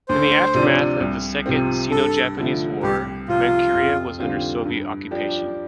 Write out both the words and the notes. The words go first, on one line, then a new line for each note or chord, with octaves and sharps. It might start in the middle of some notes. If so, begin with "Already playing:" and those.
In the aftermath of the Second Sino-Japanese War, Manchuria was under Soviet occupation.
D2 C5
C3 F3 D4
C2
C3 F3 C4
G2 A4
D3 F3 A3
C2 G4
C3 F3 F4
F2
D3 G3 C4 F4
G2
F3 D4 G4